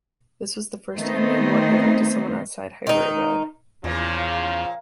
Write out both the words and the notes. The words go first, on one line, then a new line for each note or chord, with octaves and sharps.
This was the first time the award had gone to someone outside Hyderabad.
D#3 A3 B3 C4 D#4 C5
D#3 D#4
E2 A#2 C#3 F3
F5